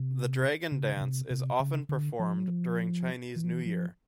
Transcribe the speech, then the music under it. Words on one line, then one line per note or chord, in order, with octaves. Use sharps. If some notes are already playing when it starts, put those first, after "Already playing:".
The dragon dance is often performed during Chinese New Year.
Already playing: C3
C#3
C#3
C3
C3
C#3
D3
F3
F#3
F3
E3
F3
E3
F3